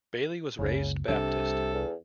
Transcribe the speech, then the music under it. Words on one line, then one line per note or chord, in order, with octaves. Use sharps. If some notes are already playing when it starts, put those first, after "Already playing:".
Bailey was raised Baptist.
F#1 C#2 C#3
C2 C3 G3 D4 A4
E2